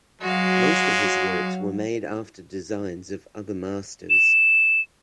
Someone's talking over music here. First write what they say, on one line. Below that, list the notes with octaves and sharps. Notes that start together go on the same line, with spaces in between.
Most of his works were made after designs of other masters.
F#3 G#3 F#4 F5
E7